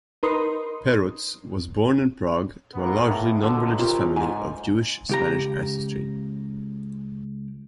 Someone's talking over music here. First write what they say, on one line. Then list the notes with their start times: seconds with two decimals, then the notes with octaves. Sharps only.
Perutz was born in Prague to a largely non-religious family of Jewish-Spanish ancestry.
0.23 D#4 A#4 B4 C6 D#6
2.75 G#2 A#3 B3
3.11 A2
3.43 B1 D3
3.79 F4 G4 A#4 C5
4.16 G#2 G#5
5.09 C#2 G4 A#5